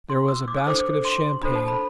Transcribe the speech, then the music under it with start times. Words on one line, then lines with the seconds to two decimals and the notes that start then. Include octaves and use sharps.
There was a basket of champagne.
0.10 C6
0.28 E6
0.48 D6
0.57 E6
0.67 D4 A4 C5 D6
1.05 C6
1.43 D4 A4 C5 B5
1.55 A5
1.68 B5